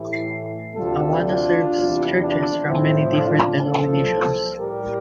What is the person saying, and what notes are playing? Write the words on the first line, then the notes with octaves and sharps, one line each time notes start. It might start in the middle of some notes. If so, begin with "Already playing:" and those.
Awana serves churches from many different denominations.
Already playing: A2 E3 A3 E4 G4
D2 C3 G3 F4 A4
D4 F4
E2 C3 G3
D4 F4
A2 F3 A3 C4 E4
D4 F4
C2 A#2 F3 A4 C5
A2 G3 G4 A#4